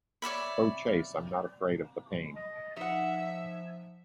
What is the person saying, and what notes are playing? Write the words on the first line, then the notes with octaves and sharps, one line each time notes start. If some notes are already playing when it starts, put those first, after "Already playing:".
Oh, Chase, I'm not afraid of the pain.
C#5 D5 E5 B5
D#5
F3 D#4 E5 F#5